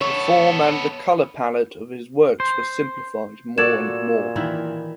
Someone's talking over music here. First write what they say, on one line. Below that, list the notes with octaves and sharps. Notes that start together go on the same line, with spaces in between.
The form and the color palette of his works were simplified more and more.
B3 A4 C#5
C5
A#2 F#4 A4 D5 G#6 E7
D#3 E3 E4